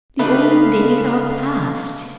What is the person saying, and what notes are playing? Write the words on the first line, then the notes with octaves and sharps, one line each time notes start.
The old days are passed.
C#3 G#3 A3 D4 D#4 B4 D#5 F5